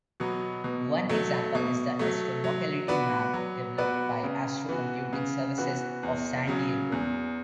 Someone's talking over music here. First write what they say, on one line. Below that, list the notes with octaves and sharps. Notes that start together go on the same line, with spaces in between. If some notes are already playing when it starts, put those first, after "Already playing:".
One example is the "Astrolocality Map" developed by Astro Computing Services of San Diego.
B2 F#3 B3
B2
F#3 A3
B2
F#3 A3
F#3
B3 F#4 B4 D5
F#3
B3 F#4 B4 D5
C#3
E3 B3 F#4
C#3
E3 B3 F#4
E2
C#3 F#3
E2